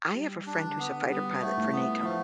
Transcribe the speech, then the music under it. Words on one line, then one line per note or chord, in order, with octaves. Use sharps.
I have a friend who's a fighter pilot for NATO,
G3
D4
D3
B3
G3 B3
A3
A2
B3
F3 A3